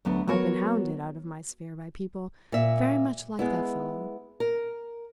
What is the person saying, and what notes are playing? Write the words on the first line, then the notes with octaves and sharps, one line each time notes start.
I've been hounded out of my sphere by people very much like that fellow.
D2 F#3 B3 D4
F#3 B3 F#4 A#4 C#5
A#2 E5
G#3 B3 E4
A#4